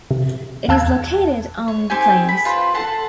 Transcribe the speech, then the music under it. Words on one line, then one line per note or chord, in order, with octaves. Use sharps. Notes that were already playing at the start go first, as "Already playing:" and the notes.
It is located on the plains.
C3
E2 F5 A5 E6 F#6 G#6
C#5
C4 D#4 G4 G#5
B5
F4 B4 C5
A4 F#5 A5 C6